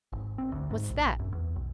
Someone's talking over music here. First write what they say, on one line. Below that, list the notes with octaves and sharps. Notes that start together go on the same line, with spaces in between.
"What's that?"
G#1
C4
D2
G#2
A#1
F#2
E2
B1